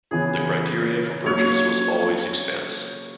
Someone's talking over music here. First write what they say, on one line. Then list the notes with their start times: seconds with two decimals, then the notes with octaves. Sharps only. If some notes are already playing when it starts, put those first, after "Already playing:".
The criteria for purchase was always expense.
0.11 C#3 E3 B3 G#4
1.26 F#3 A#3 C#4 C#5